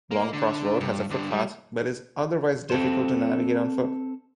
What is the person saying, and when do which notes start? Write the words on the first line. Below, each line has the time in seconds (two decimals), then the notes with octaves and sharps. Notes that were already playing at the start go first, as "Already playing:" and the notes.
Longcross Road has a footpath but is otherwise difficult to navigate on foot.
0.11 A#3
0.33 D3
0.80 G2
1.11 G2 D3
1.31 G3
2.70 C4 A4 C5